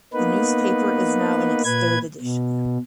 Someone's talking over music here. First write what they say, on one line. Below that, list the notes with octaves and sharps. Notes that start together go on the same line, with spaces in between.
The newspaper is now in its third edition.
A#3 B3 D#4 B4
A#2 B4 G#6
B2